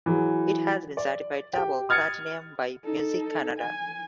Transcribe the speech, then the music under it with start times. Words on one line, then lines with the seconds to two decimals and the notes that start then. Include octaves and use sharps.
It has been certified Double Platinum by Music Canada.
0.06 E3 F#3 G#4
0.97 D5
1.53 G4 G5
1.89 D#6 F6 G#6 A6 C#7
2.84 D#4 A4
3.59 G#5